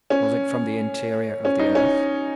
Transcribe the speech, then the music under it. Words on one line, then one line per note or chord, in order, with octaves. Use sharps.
Was it from the interior of the earth?
C#4
C#4
D#4
C#4